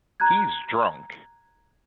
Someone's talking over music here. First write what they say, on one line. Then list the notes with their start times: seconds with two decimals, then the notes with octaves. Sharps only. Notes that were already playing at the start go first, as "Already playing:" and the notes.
He’s drunk.
0.20 A#5 F#6 G#6